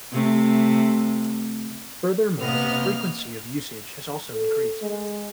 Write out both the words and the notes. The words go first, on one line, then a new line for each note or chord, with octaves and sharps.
Furthermore, frequency of usage has also increased.
C3 A3
C3 A#3 B3 D#5 F6
A4
G#3